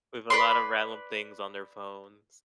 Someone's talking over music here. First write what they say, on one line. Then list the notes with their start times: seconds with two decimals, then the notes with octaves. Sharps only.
with a lot of random things on their phones.
0.30 B4 D5 C6